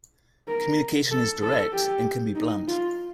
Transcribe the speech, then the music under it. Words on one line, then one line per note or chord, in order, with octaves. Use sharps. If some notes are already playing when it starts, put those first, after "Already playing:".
Communication is direct, and can be blunt.
A#4
A4
A4
G4
D#4
F4